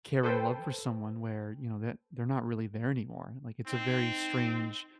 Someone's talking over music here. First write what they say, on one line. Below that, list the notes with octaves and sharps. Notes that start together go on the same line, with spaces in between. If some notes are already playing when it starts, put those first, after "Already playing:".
care and love for someone where, you know, that they're not really there anymore? Like, it's a very strange
A4 B4 C5 G5
C4 D#4